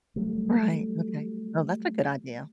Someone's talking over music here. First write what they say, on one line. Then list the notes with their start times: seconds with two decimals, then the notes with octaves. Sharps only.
Right, okay. Well, that's a good idea.
0.16 F#3 G3 A3